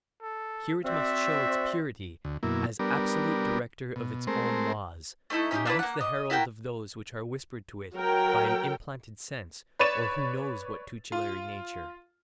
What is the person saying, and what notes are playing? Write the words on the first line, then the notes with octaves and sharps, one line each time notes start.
Here it must show its purity as absolute director of its own laws, not the herald of those which are whispered to it by an implanted sense or who knows what tutelary nature.
A4
C4 F#4 C5 D5 E5
D2
F#2 B2 A#3 E4
G3 B3 D4 A#4
B2
G#3 A3 C4 A#4 C5
A3 D#4 E4 A4
C#4 D#4 F4 G4
A#3 D4 E4 B4
A#3 F#5
D#5
E4 F#4 A#4 G5
F#3 A#4 G5
B4 C#5 D5 C#6 A6 E7
F4